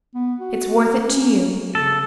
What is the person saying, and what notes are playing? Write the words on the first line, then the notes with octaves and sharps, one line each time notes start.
It's worth it to you.
B3
F#4
C#4
C#3 A4